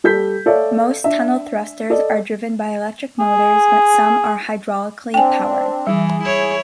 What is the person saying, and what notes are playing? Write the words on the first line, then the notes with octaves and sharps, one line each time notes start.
Most tunnel thrusters are driven by electric motors, but some are hydraulically powered.
G3 A4 G6 B6
A4 C#5 D5 E5 F5
D4 E5
A4 D5 D#5
G#4
C4 D4 G5 G#5
E3 G3 G#4
E4 C#5